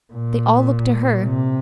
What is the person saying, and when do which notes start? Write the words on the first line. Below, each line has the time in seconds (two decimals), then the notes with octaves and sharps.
They all looked to her.
0.13 A#2
1.23 C3